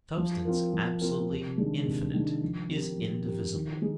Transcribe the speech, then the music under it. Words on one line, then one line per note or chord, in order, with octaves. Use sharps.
Substance absolutely infinite is indivisible.
F3
C4 F4 A#4
F3
C4 F4 A#4
C3
D#3 G#3 D4
C3
D#3 G#3 D4
F3
C4 G4 A#4
F3
C4 G4 A#4
D#3
G#3 D#4 G#4